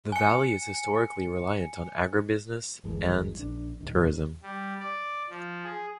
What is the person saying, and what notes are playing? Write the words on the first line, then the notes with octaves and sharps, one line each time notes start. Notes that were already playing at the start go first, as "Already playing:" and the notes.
The Valley is historically reliant on agribusiness and tourism.
G#5 C#7
G1 D#2 E3 G#3
A#1 D4
D#1 D#3
G3
D5
F3
G#4